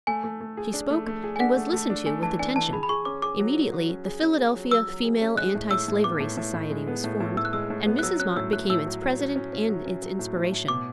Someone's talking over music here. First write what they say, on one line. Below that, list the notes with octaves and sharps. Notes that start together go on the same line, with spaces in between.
She spoke, and was listened to with attention. Immediately the Philadelphia Female Anti-Slavery Society was formed, and Mrs. Mott became its president and its inspiration.
A3 G#5
A3
A3
G#4
D4
A3
A3
G#4
G#5
D4 F#5
A3
A3
D4
A3 G#5
E3 A5
D4 G#5
E3 A5
G#4 B5
B5
G#4 C#6
C#4 D6
G#4 D6
F#3
F#3
F#3
C#4
G#4
C#4
G#4
F#3
F#3 E6
F#3
G#4
C#4
G#3 F#6
A2
A2 E6
A2
B3 D6
A2
A2
A2
G#3
B3
A2
A2
A2 E6
F#6
G#3 E6
A2
B3
F#6
F#3 E6
C#4 F#6
A2 E6
A2 F#6
A2 E6
F#3
F#3
F#3
C#4
C#4
F#3
C#4
F#3
A2
A2
A2
B2 D6